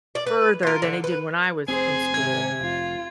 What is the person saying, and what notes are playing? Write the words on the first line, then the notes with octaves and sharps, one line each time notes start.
further than they did when I was in school.
D5
B4
F4 A#4
D3
B4
F1 C4 G#4 C5 G#5
G#1 C3 C4 G#6
F1 F4